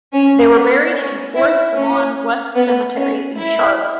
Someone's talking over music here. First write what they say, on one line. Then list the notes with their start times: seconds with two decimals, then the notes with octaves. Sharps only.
They were buried in Forest Lawn West Cemetery in Charlotte.
0.13 C#4
0.53 B3
0.94 C#4
1.35 E4
1.75 C#4
2.56 B3
2.96 C#4
3.37 E4